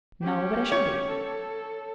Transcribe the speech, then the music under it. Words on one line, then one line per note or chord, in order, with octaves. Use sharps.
"No--but I should be."
C#4 G4
C#5
A4